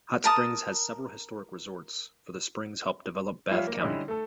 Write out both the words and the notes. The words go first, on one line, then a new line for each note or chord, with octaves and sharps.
Hot Springs has several historic resorts, for the springs helped develop Bath County.
A#4 A5 D#6
F3 G3 F4 C#5 E5 F5
A#3
D3 G3 C#4 D#4 E4
A3 A4